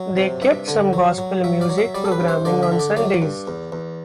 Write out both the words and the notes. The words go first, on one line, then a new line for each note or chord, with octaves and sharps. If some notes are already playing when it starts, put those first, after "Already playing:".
They kept some Gospel music programming on Sundays.
Already playing: F#3
C3
G2 E5
D3
F#3
F#3
F#3 E5
D5
F#3
E5
G3 D5
A4
B4
G2
C5
D3 D5
E5
D3
D5
F#3 D5
G2
E2
E2